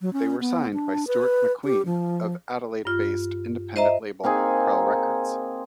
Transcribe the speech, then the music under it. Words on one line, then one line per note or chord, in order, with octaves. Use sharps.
They were signed by Stuart MacQueen of Adelaide-based independent label, Krell Records.
F#3
C#4
B3
D4
B4
G4
F3
G2 F4
C5 D#5 E5 A#5
A#3 C4 D#4 G#4